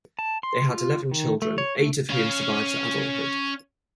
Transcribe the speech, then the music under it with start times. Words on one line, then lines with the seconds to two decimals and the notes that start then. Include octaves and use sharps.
They had eleven children, eight of whom survived to adulthood.
0.19 A5
0.43 C6
0.69 F4
1.11 D#3
1.42 A3
1.58 C#5
1.77 A3
2.10 C#4 F5